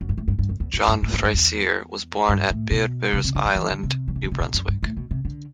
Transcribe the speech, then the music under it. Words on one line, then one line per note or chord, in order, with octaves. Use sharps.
John Fraser was born at Beaubears Island, New Brunswick.
F#2
G2
A2
G2
G2
F#2
E2
F#2
G2
A2
A2
G2
E2
G2
A2
B2
C3
C3
D3
E3
E3
D3
C3
F#3
E3
D3
C3
B2
F#2
G2
A2
B2
C3
D3